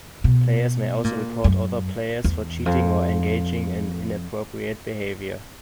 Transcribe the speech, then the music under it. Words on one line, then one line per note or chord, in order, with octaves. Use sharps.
Players may also report other players for cheating or engaging in inappropriate behavior.
B2
A#2
F#2
E2
F2